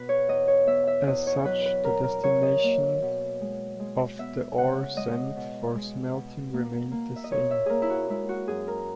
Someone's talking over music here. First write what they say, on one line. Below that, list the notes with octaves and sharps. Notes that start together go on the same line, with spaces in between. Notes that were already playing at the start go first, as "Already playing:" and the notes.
As such, the destination of the ore sent for smelting remained the same.
Already playing: B2 B3 B4
C#5
E2 D#5
C#5
B3 E5
E5
E2 D#5
C#5
F#3 B4
B4
B2 A#4
A#4
F#3 C#5
D#5
A#3
B2
G#3
G#3
B3 E5
C#3 F#5
G#3 D#5
B2
G#3
B2
A#3
A#3
E5
D#5
A#2 C#5
E5
A#3 G#4 A#4
E4
F#4
G#3 E4
F#4
F#2 G#4
A#4